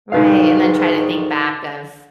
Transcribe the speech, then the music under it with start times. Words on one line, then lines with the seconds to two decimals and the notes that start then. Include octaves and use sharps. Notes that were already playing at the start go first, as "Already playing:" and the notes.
Right, and then try to think back of,
0.12 D2 G#2 D#3 D#4 B4 F5